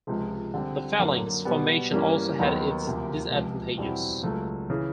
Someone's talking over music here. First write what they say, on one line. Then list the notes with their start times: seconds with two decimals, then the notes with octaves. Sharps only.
The phalanx formation also had its disadvantages.
0.07 C#2 C3 F3 G#3
0.54 D3 G3 C4
0.99 F#2 D3 F#3 A#3
1.45 B2 G3 B3
1.92 G2 E3 G3 A#3 C#4
2.38 D#2 D#3 F#3 B3 D#4
2.84 D2 C3 F3 A#3
3.30 C#2 C3 F3
3.77 E2 B2 G3 C4 E4
4.23 C#2 C#3 F#3 A3
4.70 C#3 E3